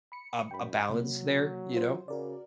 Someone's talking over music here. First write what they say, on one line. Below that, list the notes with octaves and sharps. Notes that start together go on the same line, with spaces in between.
a a balance there, you know.
B5 C#7
F#2 G5 B5
C3 F#3 A#3
F4 C5
C#3 F#4 A#4 D5